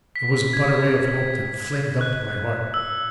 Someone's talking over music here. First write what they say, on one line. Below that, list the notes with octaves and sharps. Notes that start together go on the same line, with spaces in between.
It was but a ray of hope that flamed up in my heart.
B6
G#6
F#6
E6